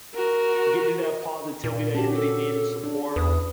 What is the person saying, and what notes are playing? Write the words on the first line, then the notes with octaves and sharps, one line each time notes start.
It gives you that positivity that you really need, and support.
F#4 A#4
A#2
C#4 F#4 G4 A5
A4
D4
E2 B4 D#6